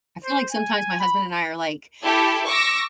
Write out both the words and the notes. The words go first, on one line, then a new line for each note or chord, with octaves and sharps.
I feel like, sometimes, my husband and I are, like,
C5
G#5
B5
E4 G4 A4
C#6 D6 E6 A#6